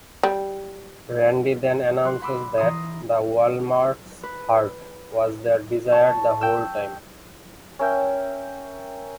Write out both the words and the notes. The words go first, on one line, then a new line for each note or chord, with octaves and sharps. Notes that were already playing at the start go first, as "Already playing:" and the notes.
Randy then announces that the Wall-Mart's "heart" was their desires the whole time.
G3
C6 F#6
F#5 B5 C6 D6 E6 F#6
E3 A#5 C6 D#6
B4
A5 C#6
G5 E6
C#4 A#4 E5 G5